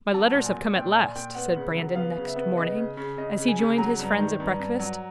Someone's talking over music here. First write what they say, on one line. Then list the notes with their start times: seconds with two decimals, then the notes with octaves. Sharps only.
"My letters have come at last," said Brandon, next morning, as he joined his friends at breakfast.
0.14 F#3 A5
0.34 A#2
0.45 G#5
0.54 A#2
0.75 A#2 G5
0.95 A#2 G#5
1.15 A#2 G5
1.35 B3 F#5
1.56 C#3
1.76 F#3
1.96 B3 F5
2.17 C#3
2.27 E5
2.36 B3
2.57 C#3 D#5
2.77 C#3
2.97 C#3
3.17 C#3 D#5
3.37 C#3
3.48 G#5
3.59 C#3
3.78 F#3 A#5
3.99 G2
4.18 D#3
4.40 G2
4.60 G2
4.79 F#3